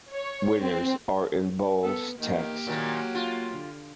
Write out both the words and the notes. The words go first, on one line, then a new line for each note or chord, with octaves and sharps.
Winners are in bold text.
C#5
C4
B3 A4
D#3 A#3 G4
A#2 D#3 F#3
F4
D3